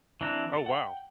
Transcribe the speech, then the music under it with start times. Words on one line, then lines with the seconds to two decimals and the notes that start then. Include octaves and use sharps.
Oh, wow.
0.21 E3 C4 D4 A#5 F#6
0.53 A4
0.66 F#5 G5